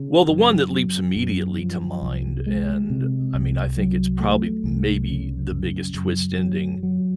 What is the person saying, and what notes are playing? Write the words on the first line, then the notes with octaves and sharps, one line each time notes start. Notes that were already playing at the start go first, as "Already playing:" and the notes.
Well, the one that leaps immediately to mind, and, I mean, I think it's probably maybe the biggest twist ending
Already playing: C#3
F#2
F#3
F#2
F3
C2
G#3
C3
C2
F#3
A3
C2
C#3
F#2
F#2
F#3
F#3